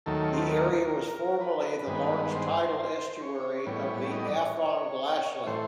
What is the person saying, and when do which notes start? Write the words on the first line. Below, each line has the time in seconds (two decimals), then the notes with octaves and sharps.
The area was formerly the large tidal estuary of the Afon Glaslyn.
0.06 D#2 D#3 F#3 A3 A4
0.24 C#5
0.33 C5
0.42 B4
0.51 A#4
1.41 B4
1.87 G2 D#3 G#3 B3
2.25 B4
2.31 C5
3.16 C5
3.22 C#5
3.66 A2 E3 G3 B3
4.11 D#5
4.25 D5
4.34 C#5
4.57 C#5
5.47 A2 E3 A3 C5